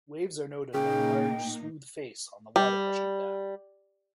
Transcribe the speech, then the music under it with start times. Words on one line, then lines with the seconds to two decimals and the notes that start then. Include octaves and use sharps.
Waves are noted by the large smooth face on the water rushing down.
0.74 A#2 C#3 A#3 D#4 G5
2.56 G3